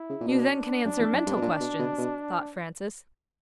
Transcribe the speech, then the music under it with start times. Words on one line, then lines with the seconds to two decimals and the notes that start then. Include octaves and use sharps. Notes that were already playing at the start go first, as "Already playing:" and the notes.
"You then can answer mental questions," thought Francis.
Already playing: E4
0.09 C#3
0.21 A#2
0.28 B2 D4
0.85 F#2 D4
0.99 E2
1.13 F#2
1.27 G2
1.36 B2
1.42 A#2
1.60 B2
1.79 B2
1.98 B2